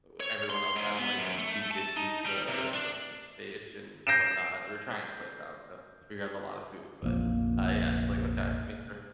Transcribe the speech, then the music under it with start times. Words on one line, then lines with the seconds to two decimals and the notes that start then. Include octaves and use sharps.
e everyone else had like deep dish pizza, some like fish and whatnot we were trying the place out, so we grabbed a lotta food, but uh yeah, it's, like, "Okay, make sure."
0.20 C#5
0.49 C6
0.76 G#2
0.99 B3
1.18 F#2
1.38 A3
1.71 A5
1.97 D#4
2.26 G3
2.48 C3
2.75 D4
4.07 G6 A#6 C7 D7 E7
7.02 F1 A#1 F3 A#3